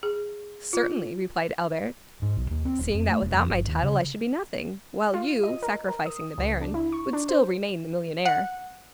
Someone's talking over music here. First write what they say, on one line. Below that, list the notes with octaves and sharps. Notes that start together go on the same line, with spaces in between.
"Certainly," replied Albert, "seeing that without my title I should be nothing; while you, sacrificing the baron, would still remain the millionaire."
G#4
F4
G#2
B1
D#2
C4
D#1
F2
A3
E1
F2
G1
D#2
C#3
F4
D#7
D#5
A#4
A#4
D#6
C#2
D4
E4
C#6
D4
C5
F#5